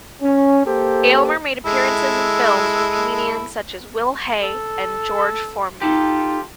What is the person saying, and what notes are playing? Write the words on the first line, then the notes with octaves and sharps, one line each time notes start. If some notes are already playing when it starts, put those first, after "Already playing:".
Aylmer made appearances in films with comedians such as Will Hay and George Formby.
C#4
A#3 G4 A4 C5
G#3 E4 A4
A4
D#4 F4 G4 A4